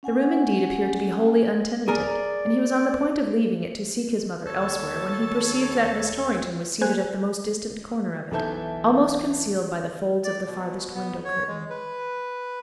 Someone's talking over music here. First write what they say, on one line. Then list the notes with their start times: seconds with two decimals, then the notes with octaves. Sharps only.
The room, indeed, appeared to be wholly untenanted, and he was on the point of leaving it to seek his mother elsewhere, when he perceived that Miss Torrington was seated at the most distant corner of it, almost concealed by the folds of the farthest window-curtain.
0.03 C#4 F#5 G#5
1.88 G#4 A#4 D5
4.47 D#2 A4 C#5 A6
6.81 A#3 C5 G#5 F#6
8.31 B1 E3 A4 E5 A5 G6
10.24 D5
10.45 B2
10.95 B3
11.25 C#5
11.47 G#3
11.70 B4